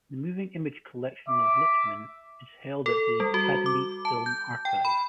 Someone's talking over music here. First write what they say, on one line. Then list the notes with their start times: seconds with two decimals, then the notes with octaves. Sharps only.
The moving image collection of Littman is held at the Academy Film Archive.
1.28 E5 D6
2.86 A4
3.20 G3
3.34 F#4
3.66 D6
4.05 A5
4.26 G6
4.65 G5
4.85 B5